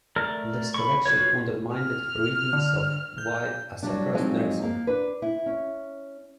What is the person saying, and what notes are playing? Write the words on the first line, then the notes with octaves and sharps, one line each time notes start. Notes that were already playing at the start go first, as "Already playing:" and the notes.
This correction undermined readings of Wilde as a cross-dresser.
A3 A#4 D5 A#5 F6
B5 C#6
F4 F#4 B4 C#5
F6
D3
G6
F#3 G3 D4
F3 F#3 G#3 C4 D#4
A#3
D4 B4
E4
C#4